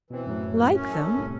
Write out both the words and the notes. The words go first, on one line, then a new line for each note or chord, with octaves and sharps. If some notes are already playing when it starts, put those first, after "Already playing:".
"Like them!"
B2 E3 C4
F#2 A2 F#3
F#2 C#4
D4 A4
C2 A2 C3